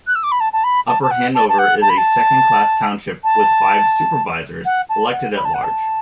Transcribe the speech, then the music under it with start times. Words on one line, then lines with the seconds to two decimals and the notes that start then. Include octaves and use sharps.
Upper Hanover is a second-class township with five supervisors elected at-large.
0.07 F#6
0.15 E6
0.23 D6
0.31 B5
0.40 A5
0.53 A5
0.63 B5
0.87 A5
1.02 A5
1.10 F#5
1.34 A5
1.49 A5
1.58 F#5
1.81 A5
1.89 B5
1.97 A5
3.23 A5
4.65 F#5
4.89 A5
5.12 F#5
5.36 B5
5.44 A5
5.54 F#5
5.63 A5